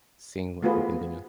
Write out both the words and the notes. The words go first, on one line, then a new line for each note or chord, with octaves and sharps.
seeing what we can do.
A3 B3 F4 F#4 G#4 B4